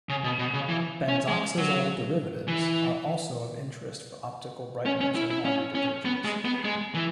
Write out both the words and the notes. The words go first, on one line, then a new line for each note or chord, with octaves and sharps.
Benzoxazole derivatives are also of interest for optical brighteners in laundry detergents.
C#3
B2
B2
C#3
E3
C#4
G#3
F#3
E3
C#4
C#4
E4
E4
C#4
C#4
B3
G#3
B3
G#3
E3